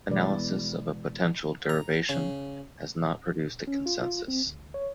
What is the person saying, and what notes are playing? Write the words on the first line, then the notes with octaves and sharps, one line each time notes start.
Analysis of a potential derivation has not produced a consensus.
B2 E3 G#3 B4 D5
A#5
C#3
C#4
F4
F4
C4
D2
C#5